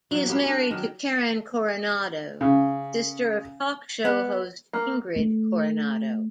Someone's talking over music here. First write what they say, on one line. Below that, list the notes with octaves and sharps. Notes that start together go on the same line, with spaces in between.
He is married to Karen Coronado, sister of talk show host Ingrid Coronado.
E3 F#3
A#3 B3 G4
D4
D#3 F#3 A#4
C#3
B3
A#3
A3